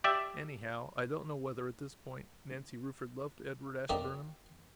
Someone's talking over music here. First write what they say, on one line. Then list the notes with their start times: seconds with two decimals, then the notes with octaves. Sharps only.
Anyhow, I don't know whether, at this point, Nancy Rufford loved Edward Ashburnham.
0.04 G4 D5 E5
3.89 F#2 A#3 G4 A#4 D5 D#5